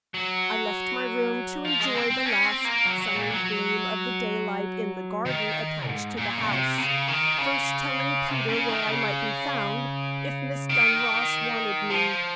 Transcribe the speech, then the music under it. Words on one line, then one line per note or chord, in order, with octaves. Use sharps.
I left my room to enjoy the last sunny gleam of the daylight in the garden attached to the house; first telling Peter where I might be found, if Miss Dunross wanted me.
F#3
F3
G#3
C4
C4
C#4
C4
A#3
F#3
F#3
A#2
F#3
F#3
D#3
G#2
A#2
C#3
C3
C#3
D#3
C#3
C3
C#3
D#3
C#3
D#3
F3